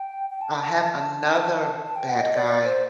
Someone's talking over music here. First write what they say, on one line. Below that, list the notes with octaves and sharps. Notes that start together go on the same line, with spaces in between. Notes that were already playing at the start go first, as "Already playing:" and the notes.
uh, have another bad guy
Already playing: G5
G5
A5
A5
G5
F#5
D#5
D5
D5
C5